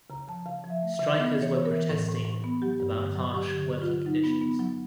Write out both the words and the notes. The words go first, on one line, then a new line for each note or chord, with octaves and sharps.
Strikers were protesting about harsh working conditions.
C#3 A#5
F3 A5
C#3 F5
F3
E5
A3
E5
C#3
B3 D#5
E3
C#5
B3
A#4
E3
A2 A4
A2
A2
B3
F#3 G4
G2
D3
F#3
F#3 G4
D3
D3
F4
F#3
F#3 D#4
B3
B3
F#3